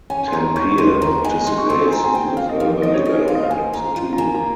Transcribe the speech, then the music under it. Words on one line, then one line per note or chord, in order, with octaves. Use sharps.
Tampere participates in the further development of the tool.
C#4 G#5
C6
D#2 A#5
D#3 C#6
C#6
D#2 C6
D#3 A#5
G#3 G#5
D#4 C6
C#6
C4 C6
C6
G#5
C4 A#5
G#5
C4 G5
C4 F5
D#5
F3 F5
C4 D#5
C#5
G#4 D#5
C5 F5
D#5
F5
A#3 G#5
F4 A#5
F4
A#5
A#3 G#5
A#5